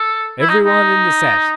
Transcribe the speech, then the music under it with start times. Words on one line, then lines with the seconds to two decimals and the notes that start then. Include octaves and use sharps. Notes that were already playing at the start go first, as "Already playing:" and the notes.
Everyone in the set!
Already playing: A4
0.41 E4
0.49 D#4
0.65 D#4